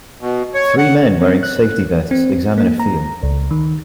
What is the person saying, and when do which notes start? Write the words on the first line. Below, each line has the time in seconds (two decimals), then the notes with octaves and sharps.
Three men wearing safety vests examine a field.
0.21 B2
0.54 C#5
0.78 F#5
1.21 C4
1.43 F#6
2.11 C4
2.58 A#3
2.80 A#5
3.23 C#2
3.51 D#3